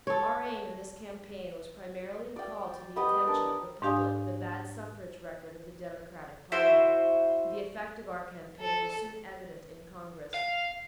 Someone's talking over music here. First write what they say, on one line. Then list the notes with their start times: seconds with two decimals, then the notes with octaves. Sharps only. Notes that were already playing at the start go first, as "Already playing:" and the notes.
Our aim in this campaign was primarily to call to the attention of the public the bad suffrage record of the Democratic Party. The effect of our campaign was soon evident in Congress.
0.07 A4 C#5
2.36 D5 G5
2.96 B3 G4 B4 D#5
3.27 D4 A#4 D5
3.82 G#2 D4 G4 F5 G#5 D#6
6.52 E4 F#4 C5
8.60 A4
10.34 F5